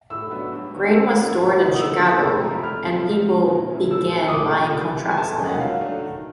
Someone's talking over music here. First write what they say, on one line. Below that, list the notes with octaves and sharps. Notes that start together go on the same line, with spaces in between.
Grain was stored in Chicago, and people began buying contracts on it.
A2 E6
F#3 B3 D4 F#4
G2
D#3 F#3 B3
D#3 E6
G3 A#3 C#4 F4
A2
F#3 A#3 D#4 F#4
D#6
D3 E6
E6
F3 A#3
D#6
F2 E6
C3 F3 A#5
B5
G3 F6
C4 F4
E2
C#3 F3 A#3
A#2
F3 A3 C#4 E4
F3 E6
G#3 C#4 F4 A#4
D#6
A#2 D6
F3 A3 D4 F4
G3
C4 F4 G#4 B4
G#5
E2 A5
C#3 F#3 A#3 D#4
F#5
F#3 F5
A3 D4 F#4
D#3